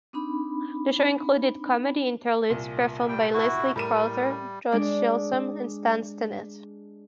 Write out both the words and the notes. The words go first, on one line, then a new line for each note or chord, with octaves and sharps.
The show included "comedy interludes" performed by Leslie Crowther, George Chisholm and Stan Stennett.
C4 D4 D#4 B5
C2 A#2
G3 G5
E4 F#4
A2 G3 A#4 D#7
G#3 D4